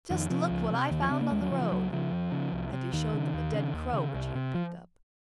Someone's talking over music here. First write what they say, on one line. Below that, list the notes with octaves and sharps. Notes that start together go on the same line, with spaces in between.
Just look what I found on the road!'--and he showed them a dead crow which he had picked up.
F2 D#3
C3 F3
C#2
C3
D#2 D#3
F3
C#3 C4
A#3
D#2 G#3
F#3
C#3 F3
F3
C#2 F#3
C#3 F3
F2
C#3
C2
C3
D#2 D#3
C#3
D#2
C#3
D#2
C#3
C2
C3
F3